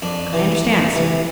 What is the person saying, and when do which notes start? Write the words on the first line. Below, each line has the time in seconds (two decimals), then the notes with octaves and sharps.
"I understand, sir."
0.02 F2 D4
0.33 C3 E3
0.64 F2
0.94 C3 E3